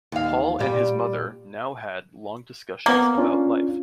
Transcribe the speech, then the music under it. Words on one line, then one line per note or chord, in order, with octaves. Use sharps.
Paul and his mother now had long discussions about life.
D#2 F5
A#2 G3
A#3 B3 F5
C#4 D4 F4